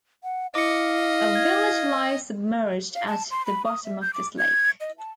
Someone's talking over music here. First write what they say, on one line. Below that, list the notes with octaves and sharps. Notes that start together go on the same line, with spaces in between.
A village lies submerged at the bottom of this lake.
F#5
E4 D#5 F5 D6 C#7
G#6
F5
A5
C6
B5
D#6
E5
G6
D6
G#6
D#5
A5